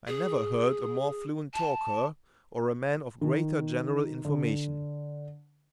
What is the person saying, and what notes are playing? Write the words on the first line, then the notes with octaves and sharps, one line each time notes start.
I never heard a more fluent talker, or a man of greater general information.
G#4
A5
D#3
D3